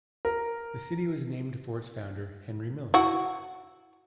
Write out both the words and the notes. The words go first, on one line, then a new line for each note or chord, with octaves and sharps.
The city was named for its founder, Henry Miller.
A#4
E4 F#4